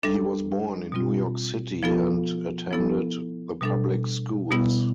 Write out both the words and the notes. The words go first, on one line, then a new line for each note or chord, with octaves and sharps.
He was born in New York City and attended the public schools.
G3 D4 A4
B2 G3 C4 F4
F3 B3 F4 A4
F3 B3 E4 A4
B2 G3 D4 A4
B2 G3 B3 E4